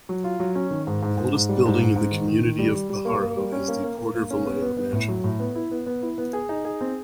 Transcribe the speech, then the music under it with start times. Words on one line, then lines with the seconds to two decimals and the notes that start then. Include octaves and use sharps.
The oldest building in the community of Pajaro is the Porter-Vallejo Mansion.
0.09 F#3
0.24 F4
0.40 F#3
0.55 C#4
0.71 D#3
0.87 G#2
1.02 G#2
1.17 G#2
1.34 G#2
1.49 G3
1.65 G#2
1.81 G#2
1.96 G#2
2.12 D#3
2.27 D#3
2.43 D#3
2.59 G3
2.74 G3
2.90 G3
3.05 A#3
3.21 A#3
3.37 G3
3.52 C#4
3.68 A#3
3.83 A#3
3.99 A#3
4.15 A#3
4.30 C#4
4.45 B3
4.62 B3
4.77 B3
4.93 A2
5.08 F#3
5.24 A2
5.39 B3
5.55 E4
5.71 B3
5.86 B3
6.02 E4
6.18 B3
6.33 G#4
6.49 D#4
6.65 G#4
6.81 C4